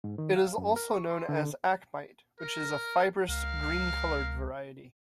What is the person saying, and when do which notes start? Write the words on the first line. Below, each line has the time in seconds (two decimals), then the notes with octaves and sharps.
It is also known as acmite, which is a fibrous, green-colored variety.
0.04 G#2
0.18 D#3
0.36 F5
0.58 F#2
0.76 A#4
0.94 C#6
1.10 C6
1.29 D3
2.39 A#4
3.28 C#2 A#4 F5